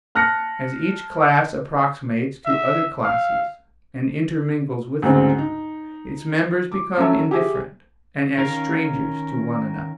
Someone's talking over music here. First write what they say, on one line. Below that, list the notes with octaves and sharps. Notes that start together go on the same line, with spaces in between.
As each class approximates to other classes, and intermingles with them, its members become indifferent and as strangers to one another.
A5 F6 F#6 A#6 C#7
E5
F5
D2 G#2 C#3 C4
D#4
D6
F#3 C#4 A4 E5
G4 G#4 E5
D#3 C#4 A#4 F5